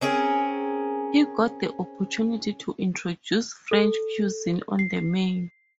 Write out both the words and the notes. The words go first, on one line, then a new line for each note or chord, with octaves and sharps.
He got the opportunity to introduce French cuisine on the menu.
C4 C#4 G#4 A#4
A4
C7